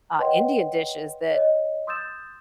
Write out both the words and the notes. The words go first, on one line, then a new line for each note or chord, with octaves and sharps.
uh, Indian dishes that,
B4 C#5 D#5 F#5 G5 C6
C#5 D#5
C6 D#6 E6 G6 A6 E7